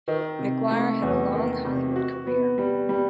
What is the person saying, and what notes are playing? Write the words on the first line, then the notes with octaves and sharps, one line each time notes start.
McGuire had a long Hollywood career.
D#3
C3
A3
E2
D#3
C3
F#4
B3
G3
G3